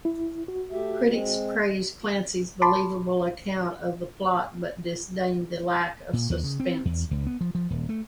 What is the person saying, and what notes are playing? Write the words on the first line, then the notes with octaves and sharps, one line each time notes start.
Critics praised Clancy's believable account of the plot, but disdained the lack of suspense.
E4
F#4
A3 G4 E5
G#3 C4
A5 B5 C6 D6
A#2
D#2
C#3
C4
E2
C#2
B3
F3
F3
D#1
A3